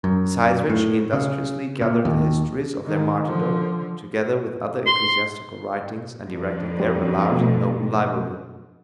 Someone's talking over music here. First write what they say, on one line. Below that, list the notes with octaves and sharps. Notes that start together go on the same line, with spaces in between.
Besides which, he industriously gathered the histories of their martyrdom, together with other ecclesiastical writings, and erected there a large and noble library.
F#2
A2
C#3
A#2
D#2
D#3
D3 F3
C6
F2 D3
G3
B2 A3